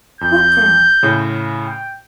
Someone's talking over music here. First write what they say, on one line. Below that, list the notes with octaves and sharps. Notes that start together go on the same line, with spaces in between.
"What then?"
F2 G6
A2 C#3
G5